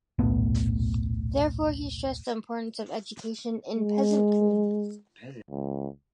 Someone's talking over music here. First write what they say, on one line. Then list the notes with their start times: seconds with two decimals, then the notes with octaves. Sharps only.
Therefore, he stressed the importance of education in peasant communities.
0.19 D#1 B1 A2 B3
3.76 G#3
5.50 C#2